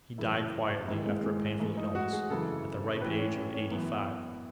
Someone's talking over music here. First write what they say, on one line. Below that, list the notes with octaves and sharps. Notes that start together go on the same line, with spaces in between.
He died quietly, after a painful illness, at the ripe age of eighty-five.
F#2 C#3 E3 E4
G#2 D#3 E4
G#3
G#3
G#2 E3 A3
D#4
F#4
G#4
F#2 C#3 E3 A4
A2 E3 B4
C#4
C#4
C#4
F#2 E3 B3